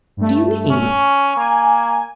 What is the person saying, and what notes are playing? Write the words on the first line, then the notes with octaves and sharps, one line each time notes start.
"What do you mean?"
G2 A3
C#4
A#3 G#5